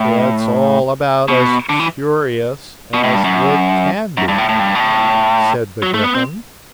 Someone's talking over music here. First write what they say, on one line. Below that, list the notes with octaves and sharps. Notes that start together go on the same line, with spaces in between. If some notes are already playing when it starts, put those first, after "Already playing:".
'It's all about as curious as it can be,' said the Gryphon.
Already playing: A2
B2
D3
E3
B2
A2
G2
F#2
F#2
G2
A2
A2
G2
B2
A2
F#3
A3
B3
C4